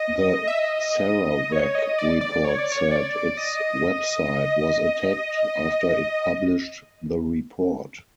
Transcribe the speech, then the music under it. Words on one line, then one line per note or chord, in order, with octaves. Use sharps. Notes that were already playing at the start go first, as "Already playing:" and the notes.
The "Sarawak Report" said its website was attacked after it published the report.
Already playing: D#5
E5
D#5
C#5
D#5
D5
D5
C#5
D5
C#5
D5
D#5